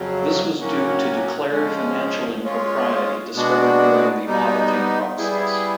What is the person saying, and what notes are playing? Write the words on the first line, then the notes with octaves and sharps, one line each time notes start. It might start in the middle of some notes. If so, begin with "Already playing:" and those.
This was due to declared financial impropriety discovered during the auditing process.
Already playing: F2 C#3 F#3
A2 F#3 A#3 C#4 F#4
F3 G#3 C#4
G#3 C#4 F4
B2 G#3 B3 D4 F#4
B2 G3 B3 D#4
G3 B3 E4 G#4